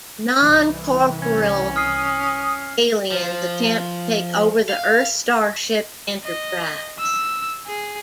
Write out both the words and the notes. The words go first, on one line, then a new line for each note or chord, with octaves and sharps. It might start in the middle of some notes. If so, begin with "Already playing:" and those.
Non-corporeal aliens attempt to take over the Earth starship "Enterprise".
C2 E3
C#4 G#6
D#6 F6 C7
F3
F5
D#5
E6
G#4